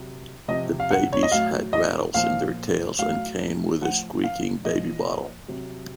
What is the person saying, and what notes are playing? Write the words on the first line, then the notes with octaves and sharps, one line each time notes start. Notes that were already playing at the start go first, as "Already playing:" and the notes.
The babies had rattles in their tails and came with a squeaking baby bottle.
Already playing: C3 F#3
C3 F3 D#5
F5
F#5
C#5
D#5
A2 F#3 F5
D#5
A#2 F3 F5
A2 F#3 F5
A2 F3 F#5
F5
A#2 F3 D#5
C3 F#3